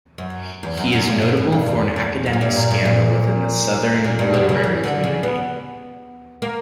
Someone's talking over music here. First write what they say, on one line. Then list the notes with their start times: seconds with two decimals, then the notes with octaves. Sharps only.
He is notable for an academic scandal within the Southern literary community.
0.18 F#2
0.63 E2
0.77 F#2
0.92 F#2
1.07 G2
1.22 B2
1.37 B2
1.52 G2
1.66 E2
1.96 E2
2.26 F#2
2.33 A#2
2.41 G2
2.56 A#2
2.71 G2
2.85 A#2
4.04 A#2
4.19 G2
4.34 B2
4.49 C#3
4.64 E3
4.84 D3
5.04 C#3
5.23 B3
6.42 A#3